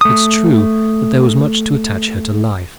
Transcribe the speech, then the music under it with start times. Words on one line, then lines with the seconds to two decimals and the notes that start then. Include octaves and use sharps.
It is true that there was much to attach her to life.
0.01 A3 D#6